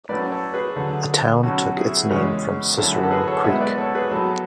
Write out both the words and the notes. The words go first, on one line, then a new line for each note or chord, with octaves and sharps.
The town took its named from Cicero Creek.
A2 F#3 A3 C#4 B4 D5
A4 C#5
G#4 B4
D2 D3 F#3 A3
B1 B2 F#3 C#4 F#4 A4
E4 G#4
E2 C#3 G#3 C#4
F#2 D3 A3 E4
F#4
A4
G#4 B4
A4 C#5
B1 A2 G#3 B3 C#5 E5
B4 D5
A4 C#5
G#4 B4
A2 F#3 B3 F#4 A4